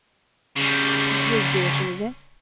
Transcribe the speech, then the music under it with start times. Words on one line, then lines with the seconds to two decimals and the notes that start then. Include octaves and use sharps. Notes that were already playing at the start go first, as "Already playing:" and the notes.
It's HIS daughter, is it?'
0.56 C#3 G3